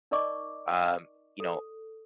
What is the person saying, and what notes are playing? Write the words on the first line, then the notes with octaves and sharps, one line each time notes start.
um, you know,
D#4 A#4 D5 D#5 C#6 D6
A4